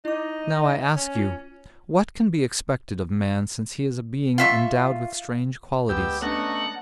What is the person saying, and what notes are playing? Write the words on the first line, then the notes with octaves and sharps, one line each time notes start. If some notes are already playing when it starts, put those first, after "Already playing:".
Now I ask you: what can be expected of man since he is a being endowed with strange qualities?
D#4 E4 D6
C#4
F4
F4 E5 C#6
D2 G#3 B3 G4 E6
A3 B3 C#4 D4 D#5 F#5 A#5 C#6